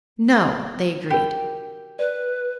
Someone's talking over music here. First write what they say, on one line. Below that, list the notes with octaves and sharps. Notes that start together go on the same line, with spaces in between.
"No," they agreed.
F#4 G4 A#4
B4 D5